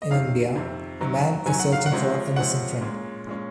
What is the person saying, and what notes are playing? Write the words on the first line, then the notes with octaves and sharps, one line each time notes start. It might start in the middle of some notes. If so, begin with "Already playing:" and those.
In India, a man is searching for a missing friend.
D#5
F2 C3 D#3 F5
F2 C3 D#3
F#2 D#3 F#3
F#2 D#3 F#3 G#5
F#5
F5
F#5
C3 F3 G#3 C#4
C3 F3 G#3 C#4 F#5
A#2 G#3 C#4
A#2 G#3 C#4